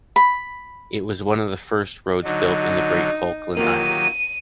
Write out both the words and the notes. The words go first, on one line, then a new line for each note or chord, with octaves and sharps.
It was one of the first roads built in the Great Falkland island.
B5
D3 F#3 D#4
D#3 F#3 A#3 F4 G4 D#7